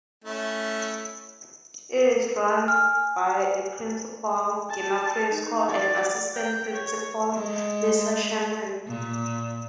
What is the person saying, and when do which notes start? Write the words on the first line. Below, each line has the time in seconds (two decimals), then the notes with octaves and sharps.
It is run by a principal, Gina Prisco, and assistant principal Lisa Sherman.
0.25 A3 C#4 E4
2.68 G#5 F6
4.70 A5
5.32 D#4
5.68 D5
6.35 G5
6.75 C#5
7.33 G#3
8.87 A#2